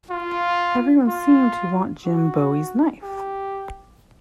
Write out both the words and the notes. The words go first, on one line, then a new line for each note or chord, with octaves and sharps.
Everyone seemed to want Jim Bowie's knife.
F4
F4
F#4
G4